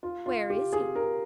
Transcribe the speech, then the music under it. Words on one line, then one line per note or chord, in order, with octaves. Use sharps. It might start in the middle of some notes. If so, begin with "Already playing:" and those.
"Where is he?"
F4
F4
G4
G#4
A#4